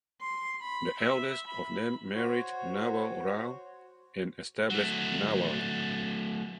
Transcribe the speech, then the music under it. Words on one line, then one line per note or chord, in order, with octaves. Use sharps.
The eldest of them married Nawal Rao and established Nawal.
C6
B5
E5
B5
F#4 C5 C#5
F#3 A3